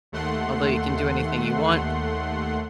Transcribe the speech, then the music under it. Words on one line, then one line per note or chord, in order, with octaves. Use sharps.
although you can do anything you want,
D#2 A3 F#5 C6